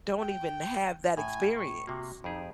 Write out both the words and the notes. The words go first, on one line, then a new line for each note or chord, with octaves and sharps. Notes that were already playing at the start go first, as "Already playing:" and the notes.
don't even have that experience.
G5
A2 G#5
C#6
C3 A#3 F#4
F2 D#4 G4 G#4